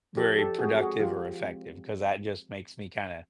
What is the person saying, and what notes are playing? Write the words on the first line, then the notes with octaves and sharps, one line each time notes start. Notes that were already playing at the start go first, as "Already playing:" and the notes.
very productive or effective cause that just makes me kinda
F3 G4 A4
G4 A4
G#3 C4 F#4 G#4
F#4 G#4
F3 F4 G4
G#3 C4